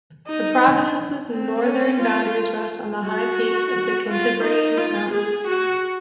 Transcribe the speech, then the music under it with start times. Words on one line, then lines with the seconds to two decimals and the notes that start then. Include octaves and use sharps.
The province’s northern boundaries rest on the high peaks of the Cantabrian Mountains.
0.28 D#4
1.32 C4
1.66 C#4
2.01 F4
3.05 F#4
4.09 F4
4.44 D#4
4.77 F4
5.12 G#4
5.48 F#4